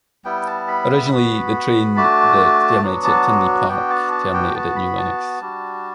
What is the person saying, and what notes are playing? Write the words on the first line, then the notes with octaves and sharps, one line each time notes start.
Originally the train that terminates at Tinley Park terminated at New Lenox.
G3 B3 E4 G5
A5
B5
B3 F#4
A3 D4 F#4 A5
F#3 B3 D4 F#4
A5
B3 D4 F#4 G5
A5
A5
G5
B3 F#4 A5
B5
A5
G3 D4 F#4